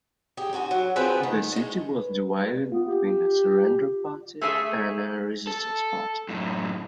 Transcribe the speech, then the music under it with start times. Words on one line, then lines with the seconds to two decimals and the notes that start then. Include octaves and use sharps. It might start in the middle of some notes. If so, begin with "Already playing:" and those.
The city was divided between a surrender party and a resistance party.
0.37 G4 G#4
0.53 G#2 F#4 A4 G#5
0.71 F#3
0.96 F3 B3 C4 G#4 B4
1.23 D#3
1.52 A2 G#3
1.97 B4
2.72 B3 F4
2.88 G4
4.41 A3 G#4 A#4 E5
5.47 A4
6.29 F#2 A2